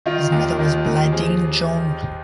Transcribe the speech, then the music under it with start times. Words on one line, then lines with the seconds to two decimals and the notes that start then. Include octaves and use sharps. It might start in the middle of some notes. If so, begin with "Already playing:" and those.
His mother was Bladine John.
0.06 D#3 F4
0.32 D#2
0.59 D#3
0.85 D#2
1.12 F3 G#4